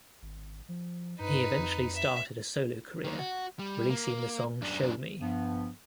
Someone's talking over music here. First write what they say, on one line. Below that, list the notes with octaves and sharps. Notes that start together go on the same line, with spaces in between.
He eventually started a solo career, releasing the song "Show Me".
G#1
F3
G2 D#4 B4
F2
E5
D#3 A#3
F#4
G3
A#3
F#2 D4
G2 F3 B3